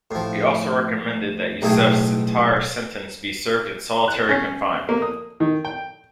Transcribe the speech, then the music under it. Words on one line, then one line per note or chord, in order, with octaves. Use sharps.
He also recommended that Yousef's entire sentence be served in solitary confinement.
A2 F3
B1 A2 A3 G#4 G5
F#6
C#4
A#3
D#6
D#3
G5